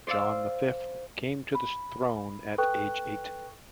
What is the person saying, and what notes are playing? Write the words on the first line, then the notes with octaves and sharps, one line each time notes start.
John the Fifth came to the throne at age eight.
C5 D5 F5 E6
B5
A4 B4 G5 C#6 F#6